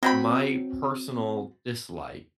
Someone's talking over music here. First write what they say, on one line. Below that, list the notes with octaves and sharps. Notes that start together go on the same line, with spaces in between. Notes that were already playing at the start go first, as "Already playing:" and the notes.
My personal dislike
F#3 C4 G5 B5